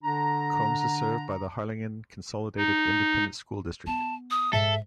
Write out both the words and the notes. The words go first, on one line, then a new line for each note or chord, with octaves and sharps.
Combes is served by the Harlingen Consolidated Independent School District.
D3 D4 A#5
D#4
B3 A5
D#6
G#2 A4 E5